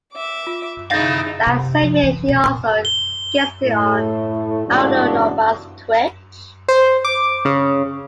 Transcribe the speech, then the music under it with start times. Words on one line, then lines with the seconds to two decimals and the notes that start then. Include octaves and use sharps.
That same year, she also guested on Aldo Nova's "Twitch".
0.14 E5 D6
0.47 F4
0.91 D#4 E4 G#4 F5 G6 A6 A#6
1.47 C3
1.82 F3
2.04 E3
2.28 B2
2.44 A#2
2.85 G7
3.64 A2 A3
4.67 A1 E2 G#2 C#3 D4 F#4
6.68 C5
7.05 D6
7.45 C#3